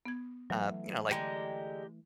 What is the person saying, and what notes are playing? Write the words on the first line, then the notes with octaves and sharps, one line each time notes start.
uh, you know, like
B3 G#6
E3 F#3 A3
D3 G#3 G4 G5 A#5